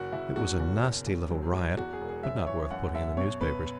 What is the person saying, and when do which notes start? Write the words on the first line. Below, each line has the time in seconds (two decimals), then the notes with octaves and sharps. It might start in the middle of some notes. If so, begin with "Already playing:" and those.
It was a nasty little riot, but not worth putting in the newspapers.
Already playing: F#1 F#4
0.12 F#1 E4
0.36 E2 F#4
0.60 F#1
0.83 B2
1.07 F#1
1.31 F#3
1.53 F#3
1.77 E2 F#4
1.93 G#4
2.01 E1
2.08 G#4
2.23 F#2 E5
2.47 E3 C#5
2.71 F#2 F#5
2.94 F#2 E5
3.17 B2 C#5
3.41 B2 B4